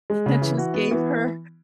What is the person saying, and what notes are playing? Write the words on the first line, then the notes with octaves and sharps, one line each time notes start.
and just gave her
G#3
C#3
E3
F#4
B3
E3